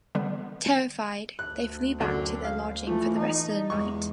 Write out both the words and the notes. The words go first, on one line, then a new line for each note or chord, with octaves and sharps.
Terrified, they flee back to their lodging for the rest of the night.
D3 G3 B3 C4
D2 F#6
F#2 D3
F5
E3 F3 A3
D#4
E2 G#3 C#6